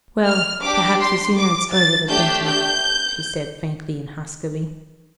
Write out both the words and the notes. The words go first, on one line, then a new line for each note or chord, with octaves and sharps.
"Well, perhaps the sooner it's over the better," she said faintly and huskily.
F6
D4 G4 D6
C6
D6
A6
A3 D4 G4 G6
G6